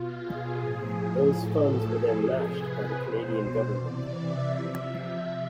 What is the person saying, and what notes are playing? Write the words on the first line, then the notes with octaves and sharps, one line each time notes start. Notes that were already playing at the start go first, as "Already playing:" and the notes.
Those funds were then matched by the Canadian government.
Already playing: B2 F4
G#4
A2 F3
A2 F3 A4
G#4
C3 F3 G#4
B4
B2 C5
C3 E3 D5
E5
C3 F3
E5